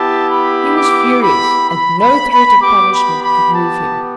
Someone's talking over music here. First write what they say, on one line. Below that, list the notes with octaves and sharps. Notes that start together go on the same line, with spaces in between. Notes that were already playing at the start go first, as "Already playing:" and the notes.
He was furious, and no threat of punishment could move him.
Already playing: B3 E4 G4 A5
B5
D6
B5
B5
B5
B5
B3 G4 D6
B5
B5
A5